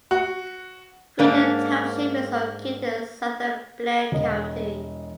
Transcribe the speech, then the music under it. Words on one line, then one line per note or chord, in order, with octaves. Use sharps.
Freedom Township is located in southern Blair County.
F#4
G#2 A#3 D4
E1 D#5